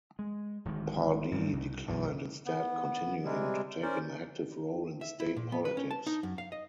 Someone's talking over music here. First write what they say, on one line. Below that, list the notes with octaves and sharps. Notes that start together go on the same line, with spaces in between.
Pardee declined, instead continuing to take an active role in state politics.
G#3
D1 D#3 G#3
G2 D#3 G3
C2
B1 F#2 B2 D3
B3
C3 G3 G#3
C#4 A#4 C5 D5
E5
E4
A#2
B3
B4
C#4
A5
D#4
F#2
F5
D#5